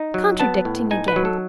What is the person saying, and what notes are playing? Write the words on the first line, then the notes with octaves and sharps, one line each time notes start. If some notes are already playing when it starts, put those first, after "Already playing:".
Contradicting again!
Already playing: D#4
F#3
B3 A5
A2
D#4 G#5
B4
F#3
A4